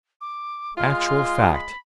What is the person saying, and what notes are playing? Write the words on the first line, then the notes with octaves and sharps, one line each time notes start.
"Actual fact!"
D6
G#3 F4 F6
B5